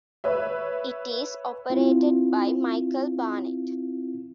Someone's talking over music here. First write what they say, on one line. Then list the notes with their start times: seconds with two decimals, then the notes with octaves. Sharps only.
It is operated by Michael Barnett.
0.24 B4 C#5 E5
1.70 C4 E4 F4